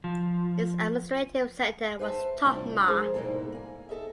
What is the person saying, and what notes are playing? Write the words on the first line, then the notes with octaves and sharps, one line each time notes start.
Its administrative centre was Totma.
F3
B4 C5 E5 G5 A5
A2 C3 G3 D4 E4 F4
F3 G#3 G#4 A#4 C5
G#2 B2 G3 A#3 E4 A4
A#3 G#5
A4 D#5 E5